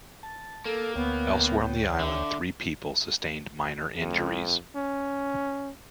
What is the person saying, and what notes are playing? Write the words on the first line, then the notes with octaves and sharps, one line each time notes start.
Elsewhere on the island, three people sustained minor injuries.
A5
A#3 A4
D2 B3 C#5 G5
D3 E5
F2
C#4